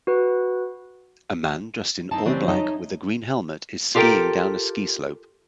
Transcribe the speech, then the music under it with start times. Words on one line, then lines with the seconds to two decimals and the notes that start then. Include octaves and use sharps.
A man dressed in all black with a green helmet is skiing down a ski slope.
0.07 F#4 B4
2.11 C4 D#4 E4 A5
2.25 C#3 E3 G3 C4 D4
2.48 D#4 C#5 D#5 E5 A5
3.95 F4 G4 A4 A#4 G5